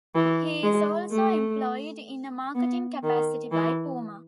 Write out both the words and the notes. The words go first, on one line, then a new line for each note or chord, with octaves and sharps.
He is also employed in a marketing capacity by Puma.
E3
G#3
A3
B3
D#3
E3